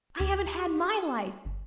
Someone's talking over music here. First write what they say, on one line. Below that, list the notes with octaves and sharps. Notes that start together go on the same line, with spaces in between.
I haven't had my life.
D2 G4 G#6
G1